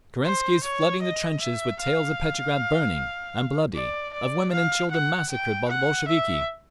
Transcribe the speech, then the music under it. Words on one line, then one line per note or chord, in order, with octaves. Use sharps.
Kerensky is flooding the trenches with tales of Petrograd burning and bloody, of women and children massacred by the Bolsheviki.
C5
C#5
D#5
E5
F5
D5
D5
F5
F#5
G5
F#5
E5